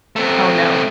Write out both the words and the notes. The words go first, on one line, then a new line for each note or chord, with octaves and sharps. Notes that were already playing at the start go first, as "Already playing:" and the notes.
Oh no.
A3 C4